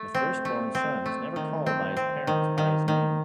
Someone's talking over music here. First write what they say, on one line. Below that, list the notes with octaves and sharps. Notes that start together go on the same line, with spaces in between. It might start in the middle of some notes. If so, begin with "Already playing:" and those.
The firstborn son is never called by his parents by his name.
Already playing: A3
C4
A3
C4
A3
D#3
C4
C4
D#3
D#3
D#3